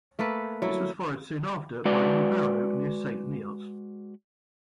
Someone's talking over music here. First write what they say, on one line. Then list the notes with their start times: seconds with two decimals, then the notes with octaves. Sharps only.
This was followed soon after by a new barrow near Saint Neots.
0.19 A3 A#3 A4 B4
0.62 F#3 E4
1.85 G#3 F#4 B4 D5